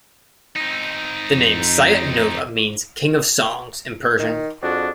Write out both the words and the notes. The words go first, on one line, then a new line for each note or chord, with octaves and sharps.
The name Sayat-Nova means "King of Songs" in Persian.
C4 D#4
F2
D#3
F2 D4 F#4 G#4